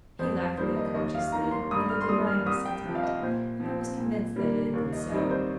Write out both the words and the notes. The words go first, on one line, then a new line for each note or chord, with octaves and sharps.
He laughed rather consciously; and though denying the sentiment, Emma was convinced that it had been so.
F2 C5
C5
D#3 G3 A#3 C5
D#5
D#2 D#5
F5
D#3 A#3 A#5
C6
G2 D#6
F6
C6
G3 A#3 D#6
F6
F6
C2 D#6
G5
C3 F3
F5
D#5
A#2 C5
F3 C4
A#2
G3 A#3
D#2
D#5
D#3 G3 C4 D#5
C5